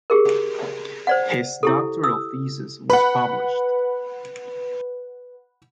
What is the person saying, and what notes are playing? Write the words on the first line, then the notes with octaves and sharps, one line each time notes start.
His doctoral thesis was published.
G4 G#4 A#4
C5 D5 F#5
E4 G4 A4
D#6 E6
B4 F#5 B5